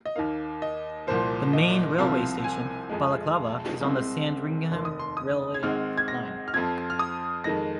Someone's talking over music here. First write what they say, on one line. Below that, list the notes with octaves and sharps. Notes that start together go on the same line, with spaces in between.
The main railway station, Balaclava, is on the Sandringham railway line.
D#5
D#2 D#3 A#3 F5
D#5
C2 A#2 F3 A#3 C5
D#5
C2 C3 F3 C4 F5
G#5
F2 F3 G#3
C2 C3 G#3 C4
F1 D#2 D#3 C6
D#6
C6
D#6
G#6
G#1 G#2 G#3 C4 F6
G#6
A#6
F6
F2 F3 C4 G#6
F6
D#6
F2 D#3 G#3 A#6